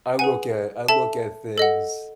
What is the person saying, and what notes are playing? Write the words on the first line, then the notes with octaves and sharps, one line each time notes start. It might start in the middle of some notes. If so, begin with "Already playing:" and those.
I look at I look at things
G#4 B4 F#5 G#5
A4 E5 A5
A4 D#5 F#5